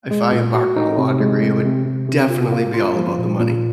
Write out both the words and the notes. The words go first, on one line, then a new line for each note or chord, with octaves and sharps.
if I embarked on a law degree, it would definitely be all about the money.
G#3
A#2
F#4
D#4
C3
G#3
C3
C3
C3
C3
F4
A#3
F4
F3
A#2
A#2